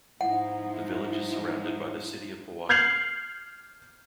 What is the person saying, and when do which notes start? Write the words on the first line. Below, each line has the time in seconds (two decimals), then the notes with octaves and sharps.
The village is surrounded by the City of Pewaukee.
0.21 G#2 F3 G#3 D#4 E4 F#5
2.69 F6 G6 G#6 C7 F7 F#7